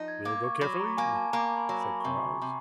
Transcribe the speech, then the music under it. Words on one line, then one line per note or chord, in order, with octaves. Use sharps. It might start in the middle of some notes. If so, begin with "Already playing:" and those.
"We'll go carefully," said Quarles.
Already playing: F3 D#4
G#6
A#3 D6
C#6
F#3 B5
A#5
A#3 G#5
A5
A#3 A#5
B5
F#3
B5
C#6
C3 C6
C3